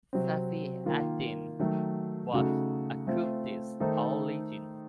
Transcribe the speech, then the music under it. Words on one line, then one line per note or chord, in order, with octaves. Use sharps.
Safi-ad-din was of Kurdish origins.
C3 F#3 C4
D#3 A#3 F4
D#3 F#3 A3
C#3 A3 D#4 F#4 A4
A3 C4 F4
D#3 A3 D#4 A4 C5